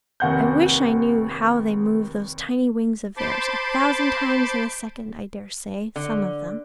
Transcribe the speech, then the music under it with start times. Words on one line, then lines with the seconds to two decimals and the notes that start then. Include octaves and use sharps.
I wish I knew how they move those tiny wings of theirs--a thousand times in a second, I dare say, some of them.
0.20 F1 D#2 F#5 G6
3.17 C5 A5 B5 C6 D6
5.96 D3